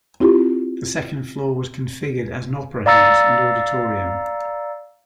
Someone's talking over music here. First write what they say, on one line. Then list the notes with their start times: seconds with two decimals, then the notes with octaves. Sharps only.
The second floor was configured as an opera house and auditorium.
0.20 C4 E4 F4 G4
2.86 D5 F5 A#5 E6 A6 C#7